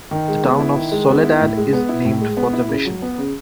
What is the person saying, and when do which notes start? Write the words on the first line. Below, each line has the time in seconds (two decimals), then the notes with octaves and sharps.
The town of Soledad is named for the mission.
0.11 D#3
0.28 G#3
0.44 B3
0.59 E4
0.77 D#3
0.92 G#3
1.08 B3
1.24 E4
1.41 A2
1.57 G#3
1.73 B3
1.89 E4
2.05 A2
2.21 G#3
2.37 B3
2.53 E4
2.69 C#3
2.85 F#3
3.02 B3
3.18 C#3